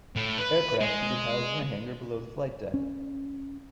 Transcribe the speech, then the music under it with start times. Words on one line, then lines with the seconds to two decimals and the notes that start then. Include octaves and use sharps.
Aircraft could be housed in the hangar below the flight deck.
0.16 A2
0.39 B4
0.81 G#3
2.74 C#4